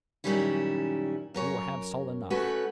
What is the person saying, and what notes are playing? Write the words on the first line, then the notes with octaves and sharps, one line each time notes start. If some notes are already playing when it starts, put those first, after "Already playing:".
"We will have salt enough."
F#2 A#2 D#3 G3 C#4 E4
F#2 A#4 C#5
A3 C#4 F#4 B4